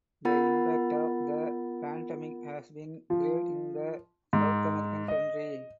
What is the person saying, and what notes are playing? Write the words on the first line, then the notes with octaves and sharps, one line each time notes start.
The impact of the pandemic has been great in the South American country.
B3 F4 A#4 F#5 B5 A6
F3
G#2
D#5